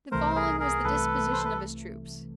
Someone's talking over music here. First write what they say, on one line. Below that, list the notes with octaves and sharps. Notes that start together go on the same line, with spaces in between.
The following was the disposition of his troops.
C2 C3 E3 A3 A#4 C5
G#4 A#4
G#4 A#4
C2 C3 E3 A3 A4 B4
C5
B4